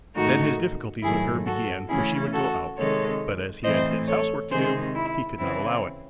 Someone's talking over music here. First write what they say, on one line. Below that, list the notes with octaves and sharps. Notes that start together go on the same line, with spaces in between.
Then his difficulties with her began for she would go out, but as he had his housework to do, he could not allow it.
G#2 D#3 A3 D#4 F#4
G#2 D#3 F#3 A3 E4 G#4
F#4 A4
C#3 E3 A3 C#4 E4 G#4
F#4 A4
C3 D#3 G#3 A4 C#5
A2 E3 A3 C4 C5 D#5
A4 C#5
C3 D#3 G#3 G#4 C5
E4
C#3 E3 C4 E4